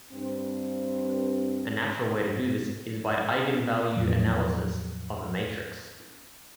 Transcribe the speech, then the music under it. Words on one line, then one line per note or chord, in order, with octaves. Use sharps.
A natural way to do this is by eigenvalue analysis of a matrix.
G2 C4
E2 A2 F3 F#3